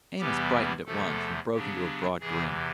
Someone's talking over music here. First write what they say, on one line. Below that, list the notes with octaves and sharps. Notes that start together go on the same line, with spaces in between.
Amos brightened at once and broke into a broad grin.
E2 C3 E3 G3 B3 G4
E2 C3 F3 A3 A4
C#3 F#3 B3 D4 G4
E2 C3 E3 G#4